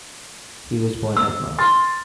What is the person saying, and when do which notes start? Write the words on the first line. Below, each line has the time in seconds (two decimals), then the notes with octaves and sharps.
He was born at Reims.
1.17 E6
1.58 C6 F6 A6